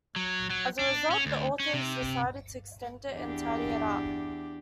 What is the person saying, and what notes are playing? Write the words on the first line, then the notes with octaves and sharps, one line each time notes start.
As a result, the authors decided to extend it and tidy it up.
F#3
F#3
D4
C#4
D2
C#4
C3
E2 D4 G4